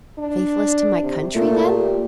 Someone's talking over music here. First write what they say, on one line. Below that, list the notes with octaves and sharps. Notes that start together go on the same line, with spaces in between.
"Faithless to my country then?"
D4
C3
A#2 A3
G4